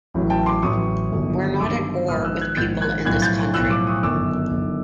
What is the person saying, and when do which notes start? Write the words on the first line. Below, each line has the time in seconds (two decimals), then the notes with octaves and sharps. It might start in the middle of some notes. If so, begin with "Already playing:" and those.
We're not at war with people in this country.
0.14 A1 A2 F#3
0.30 G5 A5
0.46 C6 D6
0.62 A1 A2 F#3 C#6 D#6
1.12 G1 G2 D#3 F#3
1.60 G1 G2 D#3 F#3 D6 E6
2.08 A#1 G#2 D#3 D#6 F6
2.24 E6 F#6
2.41 F#6 G#6
2.57 A#1 G#2 D#3 G6 A6
2.81 F#6 G#6
3.05 B1 A2 F3 F#6 G#6
3.22 G6 A6
3.54 B1 A2 F3 E6 F#6
3.70 D6 E6
3.87 C#6 D#6
4.03 G1 F#2 D#3 D6 E6
4.51 G1 F#2 D#3